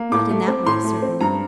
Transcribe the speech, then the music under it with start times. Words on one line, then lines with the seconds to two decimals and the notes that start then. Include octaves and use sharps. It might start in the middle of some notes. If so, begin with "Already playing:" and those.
"Not in that way, certainly."
Already playing: A#3
0.12 A2 D6
0.30 A3
0.48 C4
0.66 A2 C6
0.84 A3
1.02 C4
1.21 G2 A#5